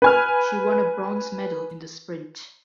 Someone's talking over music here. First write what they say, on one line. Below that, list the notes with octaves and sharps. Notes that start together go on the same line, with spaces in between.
She won a bronze medal in the sprint.
B4 G#5 F6